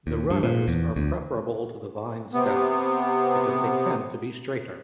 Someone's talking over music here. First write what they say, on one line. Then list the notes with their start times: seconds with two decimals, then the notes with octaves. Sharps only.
The runners are preferable to the vine's stems because they tend to be straighter.
0.07 D#2
0.30 G2
0.43 A#2
0.68 E2
0.96 D2
2.33 C3 B3